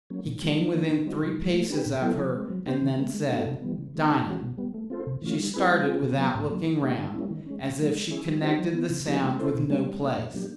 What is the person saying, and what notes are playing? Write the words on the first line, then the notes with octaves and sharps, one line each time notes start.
He came within three paces of her and then said, "Dinah!" She started without looking round, as if she connected the sound with no place.
F#3 A#3 C#4
A#2
G3 A#3
F#3
A#3 D4
D3
G3 C4 D#4 F#4
C#3
E3 G#3
A3
D4 G4 B4
A#2
F#3 B3 E4 A4
F3
G#3 C4
F#3
B3 D4 G4 C5
D#3
G#3 B3
G#3
B3 D4 F#4 A4
C3
E3 G3 B3
C#3
E3 G#3 B3 D#4
C#3
E3 G#3 C#4 F#4
B2
G3 B3
A3
C4 F4 A4 C5
C3
E3 A3 C#4 F4
G3
C4 E4 G#4 B4
G3
C4 F4 G#4
C#3
F#3 B3
A2
F#3 A#3
E3
A3 D4 G4
D3
G3 A#3 C#4 E4
D#3
G#3 C#4
C#3
F#3 A3
G#3
C#4 E4 G#4
G3
C4 E4 G4 C5
F#3
B3 E4
C#3
F3 A#3 D#4 G4
G#3
C#4 E4 A4 C5
B2
G3 A#3 D4
G3
A#3 D4
A#2
F#3 A#3 D4 G4